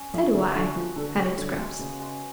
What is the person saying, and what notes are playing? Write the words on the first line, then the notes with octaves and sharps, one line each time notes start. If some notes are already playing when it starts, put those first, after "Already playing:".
"So do I," added Scraps.
Already playing: C#4
F3 A3
D3 C#4
D3 F#4
F3 B3
D3 A4
C#3 F#4
D3 B3
G#3
C#3 B3
G#3